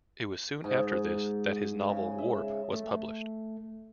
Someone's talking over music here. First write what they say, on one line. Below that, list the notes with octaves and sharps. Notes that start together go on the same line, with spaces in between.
It was soon after this that his novel, "Warp", was published.
G#2
C#3
E5
A3